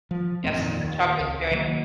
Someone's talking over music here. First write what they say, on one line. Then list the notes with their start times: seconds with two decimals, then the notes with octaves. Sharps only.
Yes, the chocolate cherry.
0.11 F3
0.44 E1 F#2 A2 C4
0.58 F2 A#2 D#3
0.84 D#2
1.20 C#2
1.51 D#3 F#3 A#3